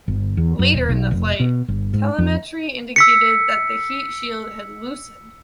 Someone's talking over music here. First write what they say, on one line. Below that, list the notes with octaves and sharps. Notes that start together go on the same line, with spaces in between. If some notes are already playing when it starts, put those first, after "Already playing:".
Later in the flight, telemetry indicated that the heat shield had loosened.
G1
E2
F#2
D#1
B1
F1
B2
G1
G#2
F2
E6 B6 C#7